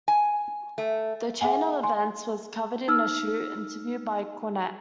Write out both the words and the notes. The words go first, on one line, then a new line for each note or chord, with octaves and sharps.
The chain of events was covered in a "shoot" interview by Cornette.
G#5
A3
G#4 E5 F#5 G#5
G#5 C6
D#4 E6 F6